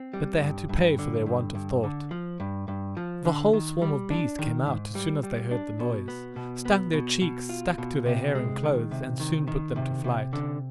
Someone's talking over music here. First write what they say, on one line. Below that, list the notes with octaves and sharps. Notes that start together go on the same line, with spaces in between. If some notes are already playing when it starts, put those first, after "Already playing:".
But they had to pay for their want of thought; the whole swarm of bees came out as soon as they heard the noise, stung their cheeks, stuck to their hair and clothes, and soon put them to flight.
Already playing: C4
G3
G2
G2
D3
G2
G2
D3
F3
G2
G2
F3
D3
D#3
G3
D4
D#3
G#2
G3
G3
D4
B2
B3
B2
B3
B2
B2
F4
B2
C3
G#3
D#3
C3
D#3
D#3
C3
C3
D3